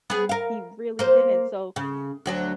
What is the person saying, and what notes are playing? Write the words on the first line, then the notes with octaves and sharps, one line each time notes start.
he really didn't, so
B3 G#4
A#4 F5
A#3 C5
C#3
D2 F#3 D4